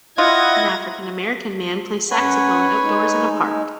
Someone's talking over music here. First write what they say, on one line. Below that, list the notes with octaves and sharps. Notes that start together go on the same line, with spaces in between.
An African American man plays saxophone outdoors in a park.
E4 F4 D#5 F#5 G#6 A#6
F#2 B4 C#5 F#5 G#5
G#3 D#4